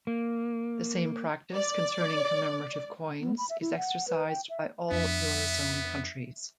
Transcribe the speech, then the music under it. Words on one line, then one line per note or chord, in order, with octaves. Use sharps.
The same practice concerning commemorative coins is exercised by all eurozone countries.
A#3
D5
B3
B5
E5
E4
F#5
B4
G5
E5
F2 F3 B3 D4 E5